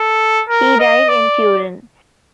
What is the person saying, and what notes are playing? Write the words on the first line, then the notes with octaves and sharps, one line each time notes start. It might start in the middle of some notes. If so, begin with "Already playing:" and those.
He died in Turin.
Already playing: A4
A#4
D#5
D5